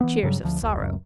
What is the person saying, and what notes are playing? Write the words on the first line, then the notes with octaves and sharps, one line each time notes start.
Cheers of sorrow.
E3 B3
G2 C#3 F#3 G3
D2 F3
F1 D2
C#2 F#2